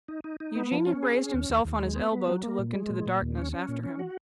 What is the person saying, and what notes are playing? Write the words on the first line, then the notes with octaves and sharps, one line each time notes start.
Eugene had raised himself on his elbow to look into the darkness after him.
D#4
D#4
D#4
B3
F3
C#4
G#4
C#4
D#2
D#2
D#2
G#3
B3
B3
F#3
A#3
A#2
G#3
A#2
A#2
D#2
C#4
C#4
A#2
C#4
F#4